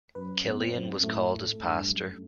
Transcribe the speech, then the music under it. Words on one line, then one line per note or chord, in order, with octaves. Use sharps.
Kilian was called as Pastor.
F#2 B4
B3
C4
F#2
A2 A3
A2
G2
F#2